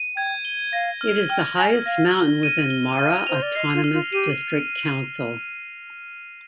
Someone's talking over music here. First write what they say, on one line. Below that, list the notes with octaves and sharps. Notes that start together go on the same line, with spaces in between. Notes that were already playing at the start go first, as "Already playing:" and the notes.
It is the highest mountain within Mara Autonomous District Council.
Already playing: D#7
G5 G#6
G7
F5 A#6
F6
G5 F6
G#5 A#6
F5 A#6
G7
D#7
G7
F5 F6
C5 F7
D5
D#5 C7
F4
F6
F4
G4 D#7